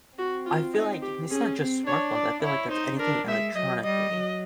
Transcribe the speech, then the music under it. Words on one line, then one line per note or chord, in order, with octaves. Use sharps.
I feel like and it's not just smartphones, I feel like that's anything electronically.
C4 F#4
F4
D#4
G4
C#4 G#4
C4
D4 C#5
D5
E4 C#5
D#4 C5
D4 A#4
G#3 E5
F#3 D#5
G3 D#5
F#3